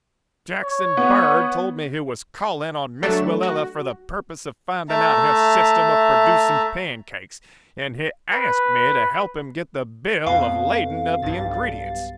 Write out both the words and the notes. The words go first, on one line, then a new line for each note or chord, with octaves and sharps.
Jackson Bird told me he was calling on Miss Willella for the purpose of finding out her system of producing pancakes, and he asked me to help him get the bill of lading of the ingredients.
C#5
B3
F#3 A3 D4 C#6 E7
F#4
A3 E5 A5 A#5
B4
F2 B2 F5
B1 G2 A6